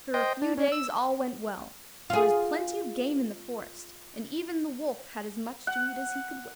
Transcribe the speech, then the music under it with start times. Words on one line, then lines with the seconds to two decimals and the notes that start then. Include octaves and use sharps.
For a few days all went well; there was plenty of game in the forest, and even the wolf had as much to eat as he could wish.
0.14 C5 D#5 G5
0.42 D4
0.58 C#4
0.72 E6
2.10 F4 G#4
5.67 F#5